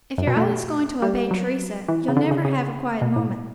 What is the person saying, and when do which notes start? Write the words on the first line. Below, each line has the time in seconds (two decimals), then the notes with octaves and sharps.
"If you're always going to obey Teresa, you'll never have a quiet moment."
0.18 F#2
0.27 B2
0.37 A3
1.02 G3
1.31 F#3
1.88 E3
2.08 C#3
2.17 D3
2.31 C#3
2.45 C#3
3.01 B2
3.16 A2